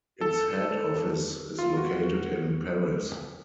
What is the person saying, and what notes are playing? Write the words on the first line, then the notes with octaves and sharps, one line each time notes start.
Its head office is located in Paris.
A4
F4
F#4